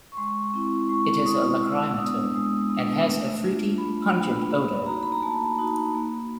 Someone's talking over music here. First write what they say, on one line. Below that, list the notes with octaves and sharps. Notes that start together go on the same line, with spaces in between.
It is a lachrymator and has a fruity, pungent odor.
C#6
G#3 C6
C4 E4
G#3 C#6
C4 E4 D#6
G#3 E6
B3 D4 D#6
G#3 D#6
B3 D4
A3
D4 F4
A3 B5
D4 F4
A#3 B5
D#4 F#4 A#5
B5
A#5
A#3 A5
D#4 F#4
A#3